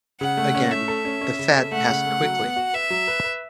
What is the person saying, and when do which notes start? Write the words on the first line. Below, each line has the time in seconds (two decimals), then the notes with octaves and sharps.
Again, the fad passed quickly.
0.20 C#3 F#5
0.37 A3
0.55 C#4
0.71 A3 E5
0.88 A4
1.05 C#4
1.21 C#4
1.39 C#3
1.55 A4
1.72 A3 F#5
1.90 C#3
2.06 A3
2.23 F#3
2.39 B3
2.56 F#4
2.73 B4 E5
2.90 F#3
3.07 B4
3.24 B4